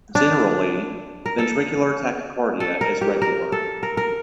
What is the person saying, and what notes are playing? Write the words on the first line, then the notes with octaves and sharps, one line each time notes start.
Generally, ventricular tachycardia is regular.
D4
A#4
A4
A4
A#4
G4
A#4
A4
A#4
A#4